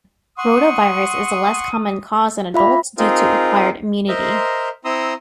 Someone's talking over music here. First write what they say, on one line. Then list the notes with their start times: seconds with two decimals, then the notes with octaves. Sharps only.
Rotavirus is a less common cause in adults due to acquired immunity.
0.38 F#5 C6 C#6 D#6
2.54 A#3 F4 E5 B5
2.98 C4 D#4 F4 G#4 A#4
4.09 A#4 C5 D#5 E5 A#5 C6
4.85 C4 E4 A#5 C6 D#6 E6